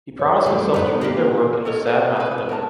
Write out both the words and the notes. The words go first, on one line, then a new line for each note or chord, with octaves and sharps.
He promised himself to read their work and was sad not to know them.
C#5
D3 G3 A3
F2
A2 D3 D#3 B3
A#3 F#4 G4
A4 A#4 C#5 D#5
D#5 F5
G#4 A#4 B4
B4
A#4 C#5 D#5 A5